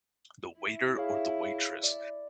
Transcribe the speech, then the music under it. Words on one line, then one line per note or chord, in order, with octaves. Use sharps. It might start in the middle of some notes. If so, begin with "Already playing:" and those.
the waiter or the waitress
E4
G#4 C#5 F5
D5